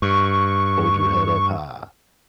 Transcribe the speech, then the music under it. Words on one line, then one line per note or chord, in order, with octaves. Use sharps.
Hold your head up high.
G2 C#6